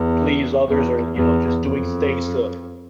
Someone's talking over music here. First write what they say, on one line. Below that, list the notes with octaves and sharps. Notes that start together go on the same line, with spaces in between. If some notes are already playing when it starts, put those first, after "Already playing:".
please others, or, you know, just doing s things to
Already playing: E2
E2
E2
F2